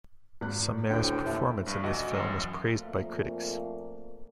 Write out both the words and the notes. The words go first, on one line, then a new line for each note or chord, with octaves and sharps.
Samaire's performance in this film was praised by critics.
G#1 F#6
D2 A2 D3 G5
D#2 A2 E5
A#1 G2
G#1 D2 F#4 D#5
A1 F#2
F2 A#2 A3 A#3